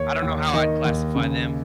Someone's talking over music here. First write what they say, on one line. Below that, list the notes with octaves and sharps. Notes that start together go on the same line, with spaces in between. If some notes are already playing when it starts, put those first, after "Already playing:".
I don't know how I'd classify them.
Already playing: D#2 C#5
D#2
D#3 D#5
D#2
C#3